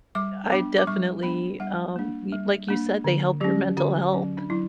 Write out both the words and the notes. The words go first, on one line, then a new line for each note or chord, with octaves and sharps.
I definitely, um, y like you said, they help your mental health.
G3 D6
B3 D4 D6
D6
G3 C#6
B3 D4 B5
G3 F#5
A#3 D4
G3
A#3 D4
D3
F#3 C#4 G4
D3 F#4
F#3 C#4
D4
F#3 E4